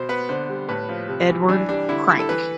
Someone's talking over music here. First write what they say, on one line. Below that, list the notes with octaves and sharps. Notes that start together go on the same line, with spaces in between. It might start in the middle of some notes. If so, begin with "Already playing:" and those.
Edward Cranke.
Already playing: B2 C5
B3 B4
D3 C5
G3
A2 B4
F3
C3
E3
E3 D4
G3 D4
D3 E4
G3 E4
A4
E3 B4